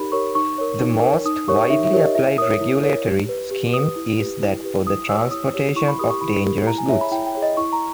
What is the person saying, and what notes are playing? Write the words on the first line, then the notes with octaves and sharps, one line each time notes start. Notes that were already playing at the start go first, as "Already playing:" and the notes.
The most widely applied regulatory scheme is that for the transportation of dangerous goods.
Already playing: D#4 G4 A#4 C#5 B5
G4 A#4 C#5 C#6
D#4 C#6
A#4 C#5
D#4
A#4 C#5
D#4 D#6
G4 A#4 C#5 C#6
D#4 E5
E5
G4 A#4 C#5
D#5
E4 E5
A#4 C#5 D#6
E4
A#4 C#5
G4
B4
G4
B4 D#6
E4
G4 B4
E4
G4 B4
E4 D#6
G4 C#5 E6
E4 D#6
G4 C#5
E4 C#6
B5
G4 A#4 D#6
C#6
E4 B5
G4 A#4
E4 A#5
G#5
G#4 C#5 E5
B5
E4 G5
G5
G#4 C#5
D#5
E4 C#6
A#5